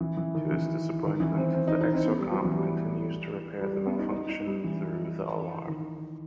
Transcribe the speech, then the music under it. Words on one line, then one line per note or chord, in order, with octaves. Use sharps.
To his disappointment, the Exocomp continues to repair the malfunction through the alarm.
E3
E3
D#3
E3
D#3
E3
C4
C4
D#4
D#4
C4
B3
G3
F#3
E3
G3
G3
G3
B3
D#4
D#4
D#4
G3
E3
D#3